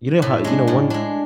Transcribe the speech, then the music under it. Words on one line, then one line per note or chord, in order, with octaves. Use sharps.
you know how you know, one
A2
G#3 D4
A2
G#3 D4